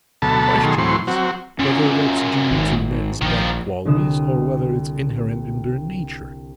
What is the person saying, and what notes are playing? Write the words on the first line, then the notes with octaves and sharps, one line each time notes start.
The question is, whether that's due to men's bad qualities or whether it's inherent in their nature.
D2 B2 F#3 A4 A5 B5
B2 D#3 F#3 G#4 A4 C6
A2 E3 F#3 C4 C6 C#6
F#3 C4 F#4
F#2 A#2 C#4
G#1 D#3
A#1 D#3 F3
C2 D3 D#6 E7